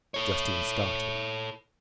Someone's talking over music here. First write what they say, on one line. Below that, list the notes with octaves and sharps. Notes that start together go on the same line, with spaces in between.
Justine started.
A4 C#5